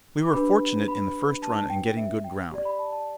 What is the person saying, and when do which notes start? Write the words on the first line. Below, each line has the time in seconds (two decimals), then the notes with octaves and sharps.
We were fortunate in the first run in getting good ground.
0.23 D6
0.33 D4 G4 B4 B5
0.88 B5
1.42 A5
1.70 G5
1.85 G5
1.97 E5
2.24 G5
2.52 G4 D5
2.65 B5
2.79 A5
2.92 A5